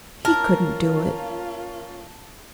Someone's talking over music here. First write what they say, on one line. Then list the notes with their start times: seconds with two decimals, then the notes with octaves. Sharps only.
He couldn't do it.
0.25 A#3 C#4 F4 A#4 A5